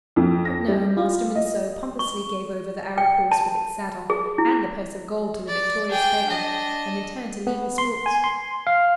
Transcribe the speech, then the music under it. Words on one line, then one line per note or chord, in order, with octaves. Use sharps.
But, no--Master Monceux pompously gave over the Arab horse with its saddle, and the purse of gold to the victorious beggar; and then turned to leave the sports.
F2
A#6
G3
F4
D#5
C#6
G5
A5
G#4
E4
D5
G#4 G5
D4 D#5
B3
C6
G#5
C6
F5